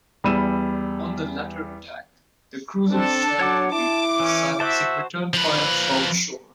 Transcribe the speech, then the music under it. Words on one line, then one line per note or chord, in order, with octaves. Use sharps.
On the latter attack, the cruisers shelled Wake, silencing return fire from shore.
E2 G3 B5 E6 D#7 E7
C4 D4 A4 A5
F#3 C#5 F#5 D6
E4 A5 D6
E3 C#4
F#4 C5 E5 A5
F3 B4